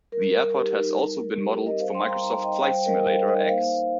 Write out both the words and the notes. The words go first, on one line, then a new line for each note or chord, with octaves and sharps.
The Airport has also been modelled for Microsoft Flight Simulator X.
G3 A#4
G3
D#4 G4
D#4 G4
G3 A#4
D#4
G3 G4
A#4
C4
A#4 D#5
G3 C5 F5
G5 C6
G3
F5 A#5
D#4 F5 A#5
D#4 D#5 G5
G5
G3 C5 F5
G3 A#4 D#5
D#4 C5 F5
D#4 A#4 D#5
A#3 C5 F5
A#3